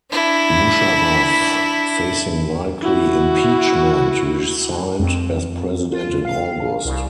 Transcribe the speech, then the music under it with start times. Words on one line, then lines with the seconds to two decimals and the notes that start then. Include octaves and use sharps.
Musharraf, facing likely impeachment, resigned as president In August.
0.11 D4 E4
2.83 E4 F#4
4.99 F2
5.92 F4
6.25 F5
6.85 C2